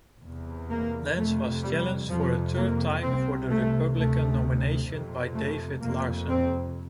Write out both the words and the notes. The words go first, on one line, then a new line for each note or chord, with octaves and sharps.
Lance was challenged for a third time for the Republican nomination by David Larsen.
E2 C3
A#3
F2 C3 A3
G3
F2 C3 F3
A#3
C2 C3 C4
A3
D2 C3 A3
F2 C3
A3
F2 C3 A#3
C4